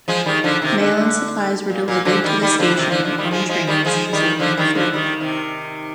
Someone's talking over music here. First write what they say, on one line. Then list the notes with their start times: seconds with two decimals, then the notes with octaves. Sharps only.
Mail and supplies were delivered to the station on trains as they came through.
0.08 F3 G#3
0.26 D#3 G3
0.44 D3 F3
0.62 C3 D#3
0.79 D3
0.97 D3
1.70 A#2
1.88 A#2
2.05 D3 F3
2.24 D#3 G3
2.42 D#3 G3
2.59 D3 F3
2.77 C3 D#3
2.91 D3 F3
3.04 D3 F3
3.18 D#3 G3
3.31 F3 G#3
3.49 F3 G#3
3.67 D#3 G3
3.85 F3 G#3
4.13 D#3 G3
4.39 D3 F3
4.57 D#3 G3
4.75 D3 F3
4.93 D#3 G3
5.20 C3 D#3